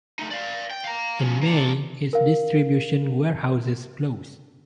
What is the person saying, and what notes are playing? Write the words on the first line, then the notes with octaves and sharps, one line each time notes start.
In May, its distribution warehouses closed.
A3 D#4
D5 F5
G5
F5 A#5
F3 C#4
A#3 D4
A#4 F5